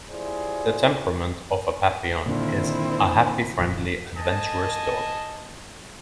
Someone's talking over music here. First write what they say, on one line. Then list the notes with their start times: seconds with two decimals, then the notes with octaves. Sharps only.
The temperament of a papillon is a happy, friendly, adventurous dog.
0.11 E4 F4 G4 G#4 C5 D5
2.26 A#2 D3 D#3 C4 E4
3.59 D#1 F3
4.16 D#5 G#5 A5